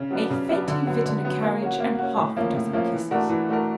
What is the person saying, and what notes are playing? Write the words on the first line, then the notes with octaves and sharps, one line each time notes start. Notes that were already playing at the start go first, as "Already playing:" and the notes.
"A fainting fit in a carriage and half-a-dozen kisses."
Already playing: C#3
F#3 B3 D4
C#3
F#3 B3 D4
D3
F#3 B3
D3
F#3 B3
A#3
C#4 F#4
A#3
C#4 F#4
A2
F3 A#3 C#4
A2
F3 A#3 C#4
E3
A3 D4 F#4 A#4
E3
A3 D4 F#4 A#4